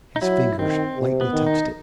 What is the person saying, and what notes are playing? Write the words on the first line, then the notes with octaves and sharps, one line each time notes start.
His fingers lightly touched it.
D#4
F#3 E4
D#3 C4
C3
B3
D#3
D#4